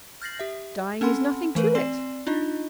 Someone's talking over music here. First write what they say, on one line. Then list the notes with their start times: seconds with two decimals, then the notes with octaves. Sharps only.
Dying is nothing to it.
0.22 F6 G6 A6 A#6 C7 F#7
0.39 G4 E5
1.01 C4 C#4 A4 F#5 B5 C6
1.55 E3 A3 A#4 B4
1.75 C4 D5 C6 C7 E7
2.27 D4 D#4 F4 D#5